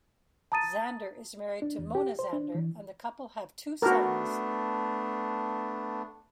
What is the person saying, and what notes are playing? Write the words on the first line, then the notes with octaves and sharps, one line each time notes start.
Zander is married to Mona Zander, and the couple have two sons.
A5 A#5 D#6 A6 D#7
D4
E2
G4
C5
D4
E3
A3 B3 D4 F#4 A#4